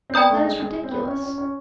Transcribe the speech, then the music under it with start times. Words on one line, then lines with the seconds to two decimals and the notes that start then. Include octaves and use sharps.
That is ridiculous.
0.10 C4
0.14 B3 D5 G5 A#5 D#6 G6
0.30 A3
0.45 G#3
0.60 G#3
0.83 C4
0.91 B3
0.99 C4
1.07 C#4
1.23 C#4
1.38 C#4